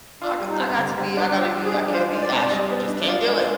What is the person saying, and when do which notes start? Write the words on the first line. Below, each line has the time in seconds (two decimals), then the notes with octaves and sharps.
I g I got to be I gotta be I can't be ashy. I just can't do it.
0.21 D4 F4
0.40 G3
0.49 D#4
0.60 C4
0.78 D3
0.98 G3 C4
1.17 B3 D4
1.36 C4 F4
1.55 G3
1.65 G#4
1.74 D4
1.93 F4 C5
2.13 G#3
2.22 D5
2.32 C4
2.42 D5
2.51 G3 D#5
2.70 B3
2.88 D4
3.08 F4 D5
3.27 G#3
3.36 C5